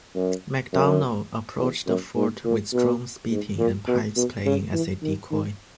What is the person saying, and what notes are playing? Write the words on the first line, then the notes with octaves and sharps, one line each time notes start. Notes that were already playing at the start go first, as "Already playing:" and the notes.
McDonald, approached the fort with drums beating and pipes playing as a decoy.
F#2
F#2
E2
F#2
G#2
A#2
B2
G#2
A#2
B2
B2
C#3
E3
D#3
D#3